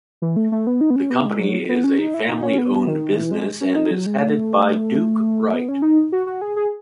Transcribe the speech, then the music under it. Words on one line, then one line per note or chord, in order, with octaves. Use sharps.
The company is a family-owned business and is headed by Duke Wright.
E3
A3
A3
B3
D#4
B3
C#4
B3
G#3
F#3
B3
C#4
D#4
E4
D#4
C#4
B3
D#3
E3
G#3
C#4
D#4
F#3
G#3
A3
B3
C#4
D#4
F#4
F#4
G#4
G#4